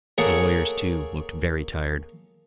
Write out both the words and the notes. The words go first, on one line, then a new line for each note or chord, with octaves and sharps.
The lawyers, too, looked very tired.
A#3 G#4 A4 C#5 E5 F#5